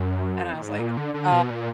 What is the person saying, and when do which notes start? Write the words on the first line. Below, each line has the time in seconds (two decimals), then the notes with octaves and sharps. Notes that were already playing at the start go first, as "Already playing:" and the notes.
and I was like, "Uh,
Already playing: F#2
0.44 F2
0.54 A#2
0.62 G#2
0.79 A#2
0.97 D3
1.14 D3
1.32 B2
1.50 A#2